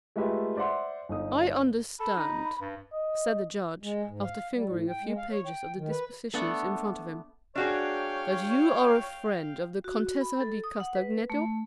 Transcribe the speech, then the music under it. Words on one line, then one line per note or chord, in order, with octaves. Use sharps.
I understand," said the Judge, after fingering a few pages of the dispositions in front of him, "that you are a friend of the Contessa di Castagneto?
G#3 A3 F4 G4 B4 E5
C5 D5 E5 F#5 C6
G1 D#4 D#6
A4 B5
D#4
G2
D#5
G#3
G#2
F5
G3
A2
G5
G#3
F5
C#5
G5
D#3
B4
A3 B3 D4 F#5
D4 F#4 G#4 C#5 F5 G5
F#4
B5
A4
D#6
F#5
B4
A3